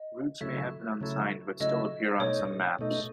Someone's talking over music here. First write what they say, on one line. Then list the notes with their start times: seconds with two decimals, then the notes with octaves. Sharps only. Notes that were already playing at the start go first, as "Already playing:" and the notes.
Routes may have been unsigned, but still appeared on some maps.
Already playing: D#5
0.41 C#3 F#3 A3 E4 E5
1.01 C#3 F#3 A3 E4
1.60 C#3 F#3 A3 E4 D#5
2.19 B2 A3 D#4 C#5
2.79 B2 A3 D#4